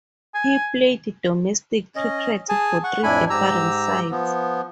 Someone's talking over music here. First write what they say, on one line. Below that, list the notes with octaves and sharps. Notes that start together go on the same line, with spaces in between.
He played domestic cricket for three different sides.
G#5
C#4 D#5
G#4 G#5 A5
F#5 C#6
F2 A2 D4 E4 G#5 B5
G#2 G4 A#5 E6
F3 B3